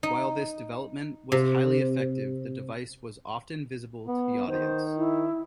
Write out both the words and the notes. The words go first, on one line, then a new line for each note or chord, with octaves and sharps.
While this development was highly effective, the device was often visible to the audience.
D#4
C3
B3
D#3 C5
E4